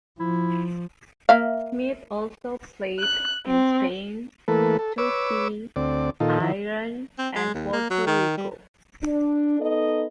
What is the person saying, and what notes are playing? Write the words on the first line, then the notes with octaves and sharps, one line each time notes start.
Smith also played in Spain, Turkey, Iran, and Puerto Rico.
F3 E4
A#3 E5 F5
F#6
C4
E3 A3 A#3 A4 B4
A4
B4 C#5 D6 E6
D2 C4 D5
A#2 D#3 D#4 F4 A4
D#3 F3 E4
C4
G#3
D#2
A#3
F#3
D#3
G3
D4
B3 D#4 A4 D#5